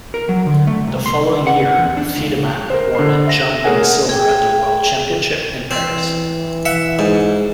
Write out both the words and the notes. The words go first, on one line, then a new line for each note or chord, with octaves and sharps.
The following year, Thiedemann won a jumping silver at the World Championships in Paris.
A#4
F#3
D3
A3
C2
C6
F#5
E2
D4
C#2
A#4 C5
D3 C7
E5 A#6
A3 G#4 A#4 C#5 F#5 G#5
G#4 G5
E3 C4
E5 F#5
G#2